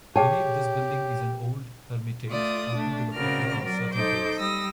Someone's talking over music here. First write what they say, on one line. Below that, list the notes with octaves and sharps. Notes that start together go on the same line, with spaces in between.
Beneath this building is an old hermitage, open to the public on certain days.
G4 G#4 C#5 G5 A5
A3 F4 D5 D#6
A3 D4
C#3 C4 F#4 A#4 D5 F6
F#3 A#4 D5
D#4 A4 C5 D6 G6
G3 D#6 E6 A#6